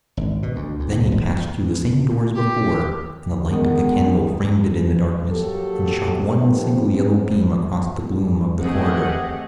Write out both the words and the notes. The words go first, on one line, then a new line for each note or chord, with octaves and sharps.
Then he passed through the same door as before, and the light of the candle framed it in the darkness and shot one single yellow beam across the gloom of the corridor.
G#1
B2
D2
D2
C#2
G#1
G4
D#3 G#3 B3 A#4
F#3 A#3 G4 A4
D#3 F3 A3 B3 G4
E2 C4
A3 C4 G4 G#4 D#5 F#5